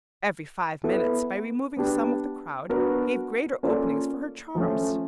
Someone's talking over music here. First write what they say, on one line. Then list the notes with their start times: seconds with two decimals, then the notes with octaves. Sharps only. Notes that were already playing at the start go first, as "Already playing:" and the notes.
Every five minutes, by removing some of the crowd, gave greater openings for her charms.
0.84 B3 E4 A4
1.77 B3 D4 G4
2.69 B3 D4 F#4 A#4
3.63 A#3 C#4 F4 A4 D5
4.55 F3 A3 C#4